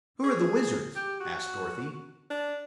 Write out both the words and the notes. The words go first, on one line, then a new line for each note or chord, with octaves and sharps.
"Who are the wizards?" asked Dorothy.
G#4
G4
F#4
D4